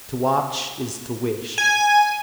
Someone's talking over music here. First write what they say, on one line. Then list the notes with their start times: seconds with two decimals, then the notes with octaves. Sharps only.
To watch is to wish.
1.58 G#5